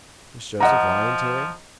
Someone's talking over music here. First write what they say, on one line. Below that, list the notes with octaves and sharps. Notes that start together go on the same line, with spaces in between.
Was Joseph lying to him?
F3 D#5 F#5 A#5